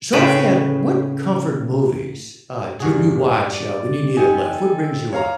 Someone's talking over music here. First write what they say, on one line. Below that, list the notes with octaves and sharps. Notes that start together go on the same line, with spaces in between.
So, off the end, what comfort movies, uh, do you rewatch, uh, when you need a lift? What brings you up?
A2 C#3 G#4 B4 G5
E2 G2 C3 F#4 G#4
D5
F3 C4 D#4 G4 A4 G#5
C#5 F5 A#5